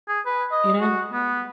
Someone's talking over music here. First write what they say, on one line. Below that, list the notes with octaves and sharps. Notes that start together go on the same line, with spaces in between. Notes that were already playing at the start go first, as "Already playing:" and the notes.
you know?
G#4
B4
D#5
F#4
B3